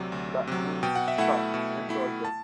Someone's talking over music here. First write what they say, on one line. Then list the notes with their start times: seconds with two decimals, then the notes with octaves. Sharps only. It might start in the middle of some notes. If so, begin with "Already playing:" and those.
But Mew is caught, and frozen.
Already playing: D2 C3 F#3 D5
0.12 D2
0.47 C3 F#3
0.83 B2 G5
0.95 F#5
1.08 E5
1.18 A3 E4 F#5
1.54 B2
1.89 A3 E4
2.25 A5